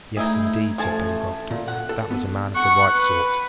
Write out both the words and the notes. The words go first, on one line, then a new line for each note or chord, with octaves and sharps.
"Yes, indeed!" said Pencroft, "that was a man of the right sort."
A3 D#4 E4 G#4
A1 F3 A3 G#5 A5
A#2
F#5
A4
B3
F#5 C#6
B4